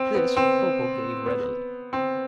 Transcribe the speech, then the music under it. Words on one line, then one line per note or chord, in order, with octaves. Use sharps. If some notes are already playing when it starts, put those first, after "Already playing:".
This Bobo gave readily.
Already playing: C4
B3
C4
B3
C4